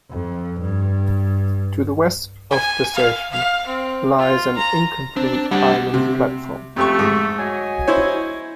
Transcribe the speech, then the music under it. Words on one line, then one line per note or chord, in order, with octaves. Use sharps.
To the west of the station, lies an incomplete island platform.
F2
G2
G#5
F5
F5
C4
F4
A#5
C4 D4
G3 A3 D4 F#5
C3
F2 A3 G4 C#6
G#2
F#3 D#5 G#5
E4 C5 C#5